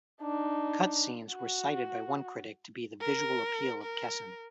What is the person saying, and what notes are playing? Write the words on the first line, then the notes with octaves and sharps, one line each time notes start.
Cut scenes were cited by one critic to be "the visual appeal to Kessen".
D4 D#4
F#4
A#4
A#4